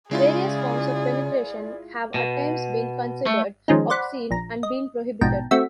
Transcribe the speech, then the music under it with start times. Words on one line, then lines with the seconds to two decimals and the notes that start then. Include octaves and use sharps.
Various forms of penetration have at times been considered obscene and been prohibited.
0.11 C#3 G#3 E4 F4 G#4 D5
2.14 B2
3.26 A3
3.68 D#3 F3 G#3 C#4 D#4
3.90 C5 D5 F#5 B5
4.31 A#1 A#5
4.63 D#5
5.21 A#1 G#2 B2 G5 A5 A#5
5.51 A3 C4 F#4 E5 B6